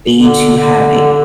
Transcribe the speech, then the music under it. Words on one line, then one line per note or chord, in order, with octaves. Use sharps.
stage to have a
D3
D3